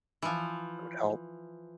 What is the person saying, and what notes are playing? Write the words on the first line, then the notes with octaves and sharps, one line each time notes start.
it would help.
E3 F3